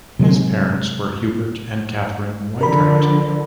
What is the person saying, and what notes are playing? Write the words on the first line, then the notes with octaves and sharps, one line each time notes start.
His parents were Hubert and Catherine Weikart.
C3 F#3 G#3
D3 F3 A#4 B5